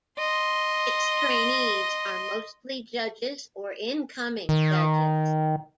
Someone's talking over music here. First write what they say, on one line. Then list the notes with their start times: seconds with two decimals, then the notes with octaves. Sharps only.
Its trainees are mostly judges or incoming judges.
0.18 D#5 C6
4.49 D#3